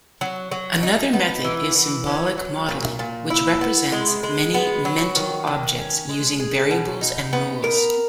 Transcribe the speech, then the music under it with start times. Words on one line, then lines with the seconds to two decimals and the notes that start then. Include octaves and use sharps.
Another method is symbolic modeling, which represents many mental objects using variables and rules.
0.21 F#3
0.51 F#3
0.83 D#4
1.13 B3
1.44 E3
1.75 E3
2.06 C#4
2.38 F#3
2.69 A#2
2.99 A#2
3.30 E4
3.61 B3
3.92 G#3
4.23 G#3
4.54 B3
4.85 F#3
5.16 D#3
5.47 D#3
5.78 C#4
6.09 G#3
6.40 G#4
6.71 B2
7.01 D#4
7.33 B3
7.64 A#4